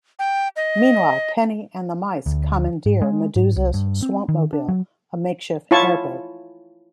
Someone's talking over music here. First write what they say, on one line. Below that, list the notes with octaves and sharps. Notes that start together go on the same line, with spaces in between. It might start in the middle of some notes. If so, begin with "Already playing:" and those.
Meanwhile, Penny and the mice commandeer Medusa's swamp-mobile, a makeshift airboat.
G5
D#5
D2
G#2
G#3
G#2
C2
G2
C4
D#3
D4
F#3
E4 F4 C#5 A5 C#6